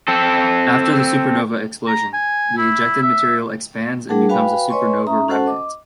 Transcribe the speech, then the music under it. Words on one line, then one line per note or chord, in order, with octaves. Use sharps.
After the supernova explosion, the ejected material expands and becomes a supernova remnant.
C4 A4
A#5
G#5
E4
E5
G3 D4 G#4 A#4 F#5 A5
F#4 B4 F5 G5 G#5 B5
B4 C#5 D#5 G#5 C6 C#6
C#4 E5 A#5 D#6
C#4 F#4 A4 C5 F#5 A5
D#5 D6